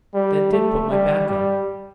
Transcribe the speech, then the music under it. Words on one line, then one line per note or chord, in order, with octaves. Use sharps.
That did put my back up.
G3
A3
G3
G3